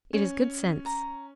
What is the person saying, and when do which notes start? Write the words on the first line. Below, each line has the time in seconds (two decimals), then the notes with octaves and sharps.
It is good sense.
0.13 C#4
0.86 A#5